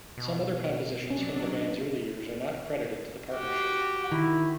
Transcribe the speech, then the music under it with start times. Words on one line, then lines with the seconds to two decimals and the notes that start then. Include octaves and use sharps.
Some other compositions from the band's early years are not credited to the partnership.
0.18 B2
1.10 F#3 C#4 D4
3.32 F#4 G4
4.12 D#3 E4